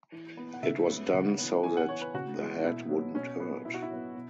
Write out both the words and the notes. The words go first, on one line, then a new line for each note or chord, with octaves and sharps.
It was done so that the head wouldn't hurt.
E3
B3
F#5
C#3 E5
F#3 B3
C#3 F#5
E3 B3
E3 G#5
F#5
B3 C#5
B4
C#3 F#4
E3 G#3 B3
B2 E4
F#3 B3
B2 C#4
F#3 B3
B2 E4
F#4
E4
F#3 B3
B2